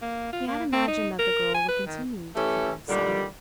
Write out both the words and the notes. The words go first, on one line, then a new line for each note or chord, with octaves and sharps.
He had imagined that the girl would continue to keep out of sight.
A#3
F4
A#3
C4
D#4
A#4
G#5
B4
D#3
E3 A3 C#4 G4 A4
A#2 D3 D#3 G3